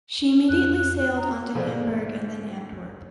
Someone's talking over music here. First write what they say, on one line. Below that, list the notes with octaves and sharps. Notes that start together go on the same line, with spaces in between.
She immediately sailed on to Hamburg and then Antwerp.
F2 F#6
A#5
G#2 B2 D3 F3 A3 A4 C5 D5